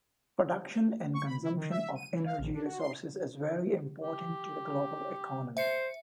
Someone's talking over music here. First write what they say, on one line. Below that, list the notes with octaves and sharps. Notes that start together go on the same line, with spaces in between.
Production and consumption of energy resources is very important to the global economy.
C#6
B5
E4
D#3
E5
D#7
E3
F5
A#1
D4
F#4
C6
G4
C5 E5 C#7